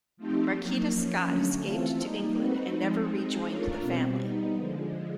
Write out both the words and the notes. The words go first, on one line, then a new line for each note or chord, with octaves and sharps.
Marquita Scott escaped to England and never rejoined the family.
F3 A3 C4 D#4 G4
F#3 A#3 D#4
F3 A#3 C#4
D3 F#3 A3 C#4
E3 A3 C4 F4 A4
G3 A#3 D#4
A3 C4 D#4 F#4 B4
F3 G#3 C4 D#4
G#3 C4 D#4 G#4
A3 D4 F4 A#4 C#5
B2 G3 C4
G3 B3 D#4
D3 F3 G#3